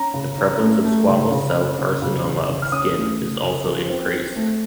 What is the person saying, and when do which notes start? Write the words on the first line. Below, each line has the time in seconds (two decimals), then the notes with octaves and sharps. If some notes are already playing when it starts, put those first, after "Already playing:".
The prevalence of squamous cell carcinoma of the skin is also increased.
Already playing: C#4 A#5
0.14 C#3
0.38 C#4
0.62 A3
0.85 A3
1.08 C#3
1.32 C#3
1.55 C#4
1.79 C#3
2.02 C#3
2.25 C#3
2.49 C#3
2.62 F6
2.72 C#4 D#6
2.96 A3
3.19 C#3
3.43 C#3
3.67 F3
3.90 C4
4.13 C4
4.36 A3